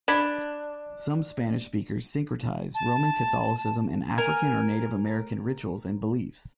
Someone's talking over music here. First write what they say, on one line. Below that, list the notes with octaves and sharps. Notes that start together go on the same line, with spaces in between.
Some Spanish-speakers syncretize Roman Catholicism and African or Native American rituals and beliefs.
D4 B5 G#6 B6
A5
A#4 G#5